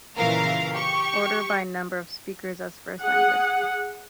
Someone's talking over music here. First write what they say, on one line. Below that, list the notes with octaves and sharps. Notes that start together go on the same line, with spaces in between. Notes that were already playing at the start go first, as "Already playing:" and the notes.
Ordered by number of speakers as first language.
A#2 C#3 E3 A#4 F5 A#5
G4 C#6
G#4 F#5